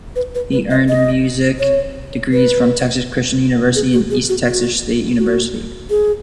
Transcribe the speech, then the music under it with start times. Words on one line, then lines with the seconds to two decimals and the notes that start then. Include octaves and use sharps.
He earned music degrees from Texas Christian University and East Texas State University.
0.16 B4
0.35 B4
0.52 B4
0.70 D#5
0.89 D#5
1.59 C#5
2.32 B4
3.75 G#4
3.93 F#4
4.11 G#4
4.29 F#4
4.47 F#4
5.18 F#4
5.90 G#4